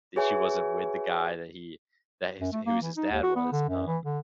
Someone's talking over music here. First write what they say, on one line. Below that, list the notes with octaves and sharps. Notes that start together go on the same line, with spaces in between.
she wasn't with the guy that he that his who was his dad was, um,
F#4 G#4 B4 C#5 E5 G#5
F#2
A3
A#3
E3
D#4
D#2
F#4
B3
D3
F#2
E3
D3